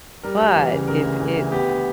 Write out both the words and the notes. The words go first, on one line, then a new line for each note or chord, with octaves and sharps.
But if it's,
G3 A#4
D2
E3
C#3
C#3 A#4
D2
E3
D2
B3 G4
D3